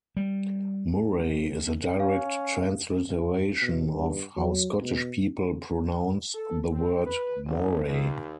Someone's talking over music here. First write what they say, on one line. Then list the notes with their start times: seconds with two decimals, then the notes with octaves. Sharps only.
"Murray" is a direct transliteration of how Scottish people pronounce the word "Moray".
0.17 G3
2.00 C#4 F5
3.62 B2
3.94 G2
4.36 F#3
4.82 B2
6.33 A4
6.72 C4
7.05 B4
7.44 F#1
7.84 D#2